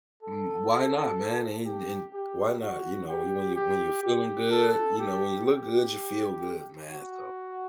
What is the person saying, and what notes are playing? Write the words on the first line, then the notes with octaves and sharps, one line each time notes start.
Mm. Why not, man? And and why not? You know, when you when you feeling good, you know, when you look good, you feel good, man. So,
A4
G4
G4
F#4
G4
G4
G4
A4
G4
G4
F#4